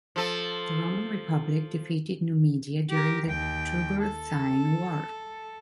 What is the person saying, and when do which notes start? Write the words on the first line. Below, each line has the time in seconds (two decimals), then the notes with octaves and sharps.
The Roman Republic defeated Numidia during the Jugurthine War.
0.16 F3 A4
2.90 G4 A#4
3.26 D#2 G5
4.01 A4